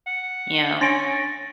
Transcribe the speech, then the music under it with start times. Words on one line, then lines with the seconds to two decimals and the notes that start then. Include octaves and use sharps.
you know?
0.07 F#5
0.81 C#4 D4 C6 A6 A#6 D7